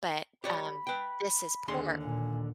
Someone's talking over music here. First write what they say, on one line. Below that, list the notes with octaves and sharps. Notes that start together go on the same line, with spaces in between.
but, um, this is por
G4 C#5 D5 B5
B4 G5
D#2 D3 G#4 C6
A#2 G#5